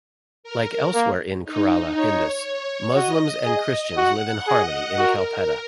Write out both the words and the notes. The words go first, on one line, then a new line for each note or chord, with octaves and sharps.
Like elsewhere in Kerala, Hindus, Muslims and Christians live in harmony in Kalpetta.
A#4
A#3
D#4
D#4 C#5
C#5
F#4 D#5
G#4 D#5
F#4 F#5
G#4 D#5
F#4 A#4